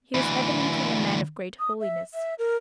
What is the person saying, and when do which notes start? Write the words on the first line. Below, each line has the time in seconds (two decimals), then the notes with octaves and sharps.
He was evidently a man of great holiness.
0.14 D2 E3
1.59 D#6
1.80 E5
2.14 E5
2.39 A#4